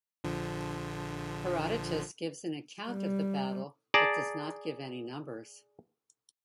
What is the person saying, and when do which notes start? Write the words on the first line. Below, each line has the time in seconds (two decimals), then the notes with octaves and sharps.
Herodotus gives an account of the battle but does not give any numbers.
0.24 A#1 D3 F3
2.88 G3
3.94 G#4 D5 A5 A#5